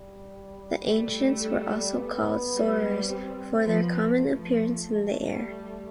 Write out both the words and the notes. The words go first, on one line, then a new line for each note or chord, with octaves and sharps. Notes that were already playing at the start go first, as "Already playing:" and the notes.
The Ancients were also called "Soarers" for their common appearance in the air.
Already playing: G3
A3
B3
G3
C4
F3 B3
F3 A3
G3